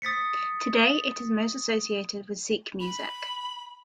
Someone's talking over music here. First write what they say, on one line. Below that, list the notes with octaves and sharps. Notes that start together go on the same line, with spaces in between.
Today it is most associated with Sikh music.
D#6 A6 B6 C#7
B5